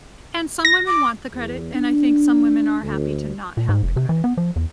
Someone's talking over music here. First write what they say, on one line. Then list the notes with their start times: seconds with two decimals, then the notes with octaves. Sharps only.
And some women want the credit, and, I think, some women are happy to not have the credit.
0.65 A#6
0.87 D6
1.33 E2
1.75 D4
2.82 D2
3.57 A#2
3.69 G#2
3.83 F1
3.96 C3
4.09 E3
4.24 B3
4.37 F3
4.56 E2